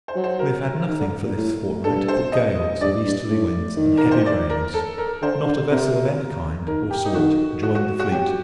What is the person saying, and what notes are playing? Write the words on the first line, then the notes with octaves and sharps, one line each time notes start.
We have had nothing, for this fortnight, but gales of easterly winds, and heavy rains; not a vessel of any kind, or sort, joined the fleet.
C5
F#3
C5
A#4
D#3
D3
A#2
A2
G2 A4
C5
D#5
G2 D5
G2
A2
D#3
A#4
C5
D5
A#4
A4
A#4
D3 C5
D3
C3 A#4
D#3 A#4
G4
D#4
D#3 F#4
F#4
F#4
F#4
F#3 G4